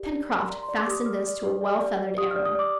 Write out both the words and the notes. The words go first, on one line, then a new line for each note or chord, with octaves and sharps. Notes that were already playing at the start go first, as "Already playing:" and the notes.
Pencroft fastened this to a well-feathered arrow.
Already playing: G4 A#4 D5
D5
A#4
C6
D5 A#5
C6
D5
D6
G4 D#6
G4 F6
D5
G4
D5
D5
D5
G4 D#6
F6
D5
D#6
D5 D6